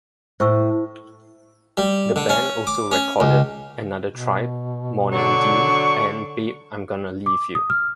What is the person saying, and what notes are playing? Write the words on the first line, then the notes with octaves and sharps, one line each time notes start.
The band also recorded "Another Tribe", "Morning Dew", and "Babe I'm Gonna Leave You".
A2 C5 C#6 E6
G3
D3
C#4
D6
C#4
C#2
B2
D3 F#3 D4 C#6
D6
D#6
F6